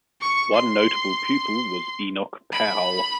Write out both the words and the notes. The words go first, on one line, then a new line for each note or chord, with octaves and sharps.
One notable pupil was Enoch Powell.
C#6
C6
B5